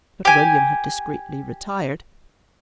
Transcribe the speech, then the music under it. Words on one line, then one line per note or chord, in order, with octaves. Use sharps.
But William had discreetly retired.
G4 G#5